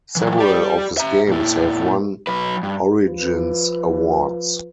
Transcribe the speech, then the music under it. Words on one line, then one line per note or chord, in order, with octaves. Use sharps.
Several of his games have won Origins Awards.
E3 F#3
G4 D5
E5 A#5
A#2 E4
F#3 B4
G2
F3 F4 B4